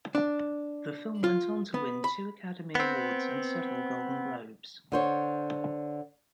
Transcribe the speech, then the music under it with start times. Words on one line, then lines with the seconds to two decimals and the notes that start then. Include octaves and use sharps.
The film went on to win two Academy Awards and several Golden Globes.
0.15 D4
1.24 F4
1.74 B3
2.04 B5
2.75 B3 C4
4.92 D3 C5 C#5